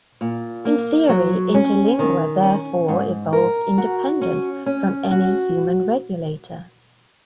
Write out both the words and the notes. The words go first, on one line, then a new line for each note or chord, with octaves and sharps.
In theory, Interlingua therefore evolves independent from any human regulator.
A#2
A#3
F#3
C#4
D#3
C#4
G#2
A#4
F#4
C#4
C#4
F#4